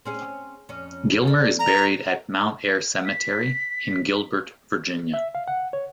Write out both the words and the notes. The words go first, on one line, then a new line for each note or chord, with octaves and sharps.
Gilmer is buried at Mount Air Cemetery in Gilbert, Virginia.
C4 C#4 G#4
F2 C#4
A4 D5
A#5
B6
E5
F5
F#5
C#5